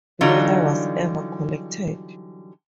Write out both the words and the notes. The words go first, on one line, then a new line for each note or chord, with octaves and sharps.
Neither was ever collected.
D3 E3 F#3 G3 D#4 F4